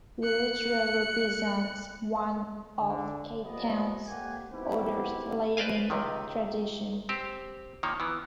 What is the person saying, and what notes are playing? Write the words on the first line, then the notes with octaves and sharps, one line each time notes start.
The ritual represents one of Cape Town's oldest living traditions.
F#6 C#7
D3
F3 G3 A#3 B3 D5 D#5
F2 A#2 A#3 G4 F#5 G#5
B3 C4 D#4 E4 F#4 G4
B4 C5 D5 D#5 F5 G#5
C#2 C3 D#3
C4 G4 C5
D#3 F3 A#3 C#5
E3 B3